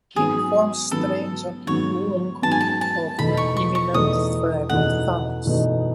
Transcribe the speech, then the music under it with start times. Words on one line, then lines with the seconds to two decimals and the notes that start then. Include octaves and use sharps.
He informs Strange and Wong of the imminent threat of Thanos.
0.16 G#2 F#3 B3 G#4
0.91 G#2 F#3 B3 A4
1.67 G#2 F#3 B3 C#5
2.42 G#2 F#3 B3 A5
2.51 G#5
2.61 A5
2.81 A5
3.18 E2 B2 A3 D#4 B5
3.37 C#6
3.57 C#6
3.75 C#6
3.94 E2 B2 A3 D#4 D#6
4.69 E2 B2 A3 D#4 F#5
5.45 E2 B2 A3 D#4